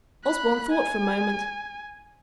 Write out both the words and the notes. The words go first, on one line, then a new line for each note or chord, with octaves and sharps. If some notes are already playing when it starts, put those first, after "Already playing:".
Osborne thought for a moment.
B5 F#6
G#5